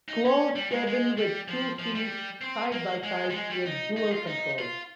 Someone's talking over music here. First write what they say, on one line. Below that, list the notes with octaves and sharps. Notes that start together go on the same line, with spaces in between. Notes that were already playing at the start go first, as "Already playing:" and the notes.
Closed cabin with two seats side-by-side, with dual controls.
D#4
C#4
G3
G#3
G#3
G3
F3
F3
G3
C4
A#3
G#3
G3
G#3
G3
D#4
D#4
F4
D#4
F4